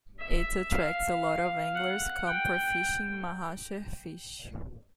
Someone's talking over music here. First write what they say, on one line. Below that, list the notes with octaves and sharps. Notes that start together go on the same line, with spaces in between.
It attracts a lot of anglers come for fishing mahasher fish.
E5
F5
F#5
G5